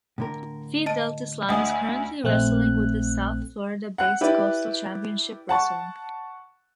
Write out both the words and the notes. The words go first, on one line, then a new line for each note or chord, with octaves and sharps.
Phi Delta Slam is currently wrestling with the South Florida-based Coastal Championship Wrestling.
A2 D3 A#4
D#5 A5 D7
D2 D#5 F#5 G#5 D#6
A#1 A3 C4 F#6
F#5 F#6
E4 G4 B4 D5
F#5 A5 C#6